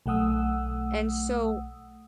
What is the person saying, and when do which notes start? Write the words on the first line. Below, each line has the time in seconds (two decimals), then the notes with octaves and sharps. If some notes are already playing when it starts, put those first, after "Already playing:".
And, so
0.06 B1 A3 F#5 D#6 E6